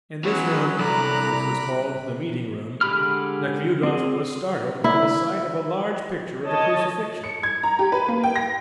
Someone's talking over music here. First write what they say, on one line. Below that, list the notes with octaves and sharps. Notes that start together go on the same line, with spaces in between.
In this room, which was called the meeting-room, Nekhludoff was startled by the sight of a large picture of the Crucifixion.
E3 F#3 B3 C#4 F#4 C#5
C2 D3 A#5 B5 D6 F#6
D3 G#3 G4 B5 F6
C4 G#4
E4
C#5 D#5 A5
C#7
G#6
A#5
G4
B4
A#3
G5
A#6